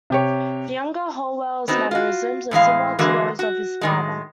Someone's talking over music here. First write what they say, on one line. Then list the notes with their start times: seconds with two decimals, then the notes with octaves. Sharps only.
The younger Howell's mannerisms are similar to those of his father.
0.10 C3 G4 C#5
1.68 B3 C4 D#4 F#4
1.91 F4 F#4
2.51 A2 E3 G#3 F5
2.99 D3 E3 G#3 A#3 F#4
3.39 F#4
3.81 A2 D#3 G#3